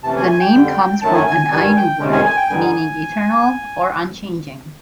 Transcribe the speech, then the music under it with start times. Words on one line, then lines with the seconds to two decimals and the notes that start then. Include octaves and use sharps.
The name comes from an Ainu word meaning "Eternal" or "unchanging".
0.03 C3 E3 A3 C#4 A5
0.16 G#5
0.28 G#5
0.40 G5
0.53 F2 D3 G3
1.02 F#2 D#3 F#3 A3 A5
1.14 G#5
1.27 G#5
1.38 G#5
1.51 G2 D#3 G3 G#5
1.76 G5
1.99 F2 C3 D#3 G#3 C#4
2.12 G#5
2.25 G#5
2.37 G5
2.49 G2 D3 G3 B3 D#4 G#5